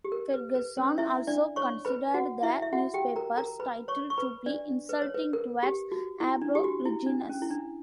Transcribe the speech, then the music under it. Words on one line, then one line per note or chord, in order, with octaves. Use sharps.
Ferguson also considered the newspaper's title to be insulting towards Aborigines.
G4
A#4
B4
B4
C#4 C#5
E4 E5
D4 D5
C#5 C#6
B4 B5
F#4 F#5
E4 E5
E5
F#4 F#5
G4 G5
A#4 A#5
A#4 A#5
B4 B5
C#5 C#6
C#6
B4 B5
D4 D5
B4
C#5
B4
A#4
G4
F#4
E4
D4
G4
F#4
E4
D4
C#4
E4
D4